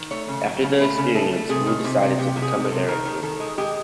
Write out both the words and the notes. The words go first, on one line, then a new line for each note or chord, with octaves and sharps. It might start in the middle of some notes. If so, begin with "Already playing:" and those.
After the experience, Wu decided to become a director.
Already playing: D#3
A3 C#5
C#3
F#3
C#3
A3 B4
C#3
A3 A4
A3
C3 G#4
D#3
C3
C3
C3 G4
C3
G#4
C3
A4
C3
D#3 A#4
D#3
D#3 A4
G#3
G#3 G4